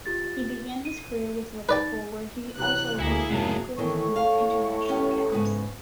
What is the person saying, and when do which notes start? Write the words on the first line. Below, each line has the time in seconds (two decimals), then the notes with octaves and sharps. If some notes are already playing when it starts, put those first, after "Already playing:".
He began his career with Liverpool, where he also won England Youth international caps.
0.06 F4 G4 A6
0.85 D#7
1.69 D#4 B4 D5 G5 A6
2.58 C3 E3 F#3 F#6
2.99 D2 A#3 E4 G#4 A#6 C#7
3.30 F1 G#2 C3 F#3 A#3 E4 A5
3.78 A2 D#3 E3 C#6
4.16 F5
4.88 B3 C#4 G4
5.32 G#2 C#3 B3